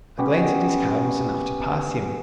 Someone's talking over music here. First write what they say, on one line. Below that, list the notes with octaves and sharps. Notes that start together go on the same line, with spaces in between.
A glance at his card was enough to pass him.
B3 C#4 G4